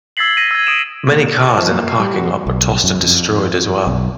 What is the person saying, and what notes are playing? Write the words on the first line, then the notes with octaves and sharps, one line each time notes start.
Many cars in the parking lot were tossed and destroyed as well.
E6 G#6 A6 B6 C7 F#7
A#6 B6 D#7
E6 G#6
D#6 D7 E7
A#3
E7
C#6
F3
A#3
C7
G3
F#4
B1
F#2
F2
B1